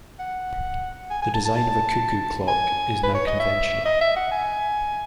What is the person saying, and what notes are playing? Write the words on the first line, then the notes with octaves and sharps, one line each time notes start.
The design of a cuckoo clock is now conventional.
F#5
G#5
G#5
A5
A5
A5
G#5
B4
C#5
D#5
E5
D#5
E5
F#5
G#5